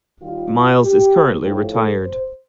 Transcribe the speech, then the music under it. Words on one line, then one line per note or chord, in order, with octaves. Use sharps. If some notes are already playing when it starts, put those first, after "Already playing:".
Miles is currently retired.
D#2 D#3 G3 F4
G4
A2 F3 G4
A4
C5